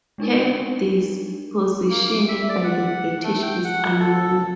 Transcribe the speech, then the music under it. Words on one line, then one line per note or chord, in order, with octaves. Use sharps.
Her disposition by the British is unknown.
G#3 D4 D#4 A#4
A#3
D6
E5
D5
F#5
A3
G5
F#5
A4